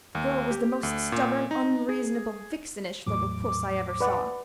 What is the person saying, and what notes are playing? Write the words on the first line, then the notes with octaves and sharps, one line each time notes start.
The girl was the most stubborn, unreasonable, vixenish little puss I ever saw.
D#2
G4
D2
A#2
D#4
G#4
E2 A2 F#3 D6
B4 D5 F#5